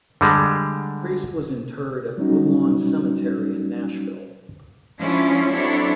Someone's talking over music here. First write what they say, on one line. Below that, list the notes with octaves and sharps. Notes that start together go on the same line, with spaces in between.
Priest was interred at Woodlawn Cemetery in Nashville.
D3 G3 G#3
F#3 G3 C#4 D#4 F#4
F3 G#3 C#4 D4 E4 F4
F#3 C4 D4 E4 A4 C#5